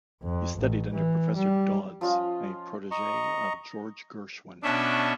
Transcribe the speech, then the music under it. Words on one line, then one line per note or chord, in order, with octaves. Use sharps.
He studied under Professor Dodds, a protegee of George Gershwin.
F2
A1
E3
G3
F3 C#4 F4 D#5
D#5 A#5 C#6
B2 C#4 D4 E5